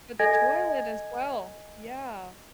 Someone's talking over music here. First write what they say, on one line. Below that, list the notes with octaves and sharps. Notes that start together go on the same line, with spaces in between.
With the toilet as well. Yeah.
A4 D#5 G#5 G#6 A#6